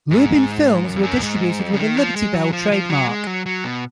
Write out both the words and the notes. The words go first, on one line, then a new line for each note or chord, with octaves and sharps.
Lubin films were distributed with a Liberty Bell trademark.
G#2
F#2
F2
F#2
G#2
F2
C#3
D#3
F3
G#3
F#3
F3
F3
F#3
G#3
F#3
F#3
B2